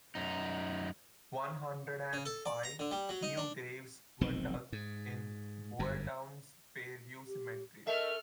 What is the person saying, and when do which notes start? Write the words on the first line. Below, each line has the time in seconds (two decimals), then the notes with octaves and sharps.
One hundred and five new graves were dug in Boyertown's Fairview Cemetery.
0.15 F#2 D#4
2.13 C#3
2.25 A4
2.46 D5
2.64 A#5
2.79 D3
2.91 G3
3.09 F#3
3.23 D#4
3.37 D4
4.21 F1 B1 D#3 C4
4.72 G#2
5.79 G1 F#2
7.27 G4
7.87 A3 A4 A#4 D#5 E5 F6